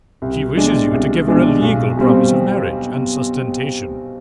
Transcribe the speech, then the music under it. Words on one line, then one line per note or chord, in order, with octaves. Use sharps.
"She wishes you to give her a legal promise of marriage, and sustentation."
C2
B2 G#3 D4
C2
B2 G#3 D4
B1
B2 G3 C4